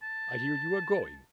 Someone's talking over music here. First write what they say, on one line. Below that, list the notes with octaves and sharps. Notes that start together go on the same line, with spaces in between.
I hear you are going.
A5